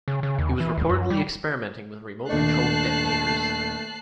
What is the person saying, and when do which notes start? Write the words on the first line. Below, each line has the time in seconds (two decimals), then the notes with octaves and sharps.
He was reportedly experimenting with remote-controlled detonators.
0.08 C#3
0.23 C#3
0.38 D#2
0.60 E3
0.77 D2
0.89 F#2
1.10 G3
2.29 D#1 A3 D4 D5 A5 F#6 C7